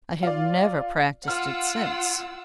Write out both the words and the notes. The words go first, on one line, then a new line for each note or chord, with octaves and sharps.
I have never practised it since.
F4 D5
F4 F#5 E6 F6